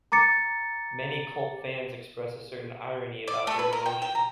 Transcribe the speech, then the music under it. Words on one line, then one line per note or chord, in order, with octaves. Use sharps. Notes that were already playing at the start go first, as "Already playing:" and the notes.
Many cult fans express a certain irony about their devotion.
A#5 D6 A6 C#7
D5
A3
B4
A#4
G5
G5
A#5